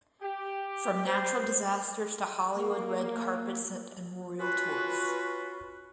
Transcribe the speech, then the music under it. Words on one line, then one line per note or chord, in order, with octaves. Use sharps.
From natural disasters to Hollywood red carpets and royal tours.
G4
C5
A#3
C#4 F4 F#4 B4